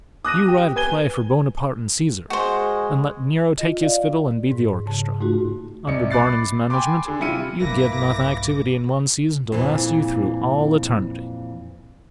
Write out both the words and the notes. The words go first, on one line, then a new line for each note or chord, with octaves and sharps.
"You write a play for Bonaparte and Caesar, and let Nero take his fiddle and be the orchestra. Under Barnum's management you'd get enough activity in one season to last you through all eternity."
D#6 F#6 A#6 D#7
G4
B4 G#5 G#6 D#7 G7
G#3 F#4 C5
F4 D#5
D5 D#5 F5
G#2
G#2 C#3 A5
G#2 A3 D#4 F4 F#4
C2 D5 D#5 C#7
B5 D6 F#6 A6 C7
G5 G#5 B5 C6 D6
D3 G#4
C3 G3 E4 F4 C#7 D#7
B1 G2 A#3 E4 B4 D6 A#6
F2 A#2 E3